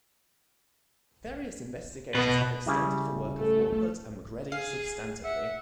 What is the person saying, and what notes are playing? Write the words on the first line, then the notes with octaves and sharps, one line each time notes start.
Various investigators have extended the work of Wolpert and Macready substantively.
B2 B3 B4
C#3 G3 E4
A3 A4
G#4 F5
E5 F#5